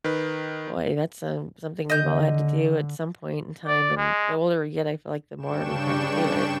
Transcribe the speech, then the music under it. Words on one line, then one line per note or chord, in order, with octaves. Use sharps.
Boy, that's, um, something we've all had to do at some point in time, and the older we get, I feel like the more we've had to do it,
D#3 B4
D3 D#5 G6
D5
G#3
G2 C#3 D4 G5 C#6 E7